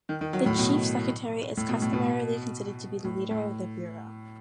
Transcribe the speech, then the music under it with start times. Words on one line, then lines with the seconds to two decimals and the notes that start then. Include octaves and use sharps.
The Chief Secretary is customarily considered to be the leader of the bureaux.
0.09 D#3
0.21 D#3
0.33 F#3
0.46 A2
0.58 B2
1.57 A2
1.69 B2
1.82 A2
1.93 B2
3.04 A2
3.31 A2